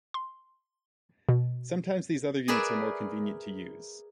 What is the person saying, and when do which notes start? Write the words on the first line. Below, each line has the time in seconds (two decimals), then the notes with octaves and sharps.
Sometimes these other units are more convenient to use.
0.14 C6
1.29 B2
2.48 G#4 A#4 B4 D5 E5